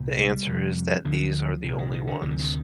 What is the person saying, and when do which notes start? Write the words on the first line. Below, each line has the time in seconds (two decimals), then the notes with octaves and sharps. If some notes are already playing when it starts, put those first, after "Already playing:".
The answer is that these are the only ones.
Already playing: C2 A#2
0.18 G3
0.47 F2 C3
1.05 D2 D3 F3
1.64 C2 A#2
1.78 D#3
1.93 D#3
2.07 D3
2.22 D2 C3 D#3
2.31 F3
2.39 D#3